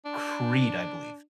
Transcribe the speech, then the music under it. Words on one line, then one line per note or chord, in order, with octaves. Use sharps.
Creed, I believe.
D4